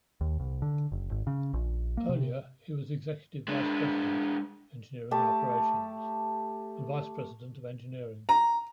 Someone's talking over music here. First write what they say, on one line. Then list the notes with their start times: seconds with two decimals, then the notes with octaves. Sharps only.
Earlier, he was Executive Vice President, Engineering and Operations; and Vice President of Engineering.
0.21 D#2
0.40 C2
0.62 D3
0.92 F#1
1.11 G#1
1.27 C#3
1.54 A#1
1.97 A#3
2.09 C3
3.48 G#3 D4
5.11 A3 G4 A5
8.29 A#5